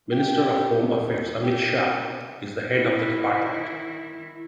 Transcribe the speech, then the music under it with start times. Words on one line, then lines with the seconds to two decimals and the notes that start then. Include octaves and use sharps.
Minister of Home Affairs Amit Shah is the head of the department.
0.12 G4
1.00 E2
1.44 G4
2.74 D#3 E4